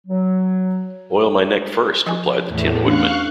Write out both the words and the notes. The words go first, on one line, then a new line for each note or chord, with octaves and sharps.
"Oil my neck, first," replied the Tin Woodman.
F#3
F3 G#5
E2 A2
C#4 D4 F5 C#6 F#6